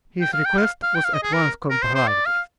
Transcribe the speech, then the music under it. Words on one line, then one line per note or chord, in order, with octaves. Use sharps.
His request was at once complied with.
G5
F5
G5
F5
F5
G5
F5
D#5
G#4
A#4
A#4
C5
C5
D5
F5